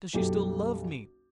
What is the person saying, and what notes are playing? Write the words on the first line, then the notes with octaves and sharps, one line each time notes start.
Does she still love me?
F#1 B1 G4 A4